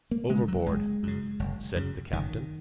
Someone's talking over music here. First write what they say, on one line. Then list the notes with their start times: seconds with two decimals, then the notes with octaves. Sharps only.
"Overboard!" said the captain.
0.11 A#3
0.29 C#3 G#3
0.48 F#3
0.66 F#1 G#3
1.03 F#2 C#3
1.40 F#1
1.76 F#2 C#3
2.13 F#1 D#3